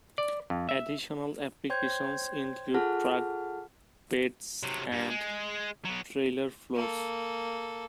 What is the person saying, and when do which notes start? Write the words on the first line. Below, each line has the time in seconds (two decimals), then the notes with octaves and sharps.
Additional applications include truck beds and trailer floors.
0.18 D5
0.50 F2
0.69 E5
1.70 C5 C#5 G5 C6 G6 G#6
2.74 F4 G#4 A4 F#5 A5 F6
4.63 C3 F#3
4.92 G2
5.10 G#3
5.85 F#3 B3
6.75 A#3 A4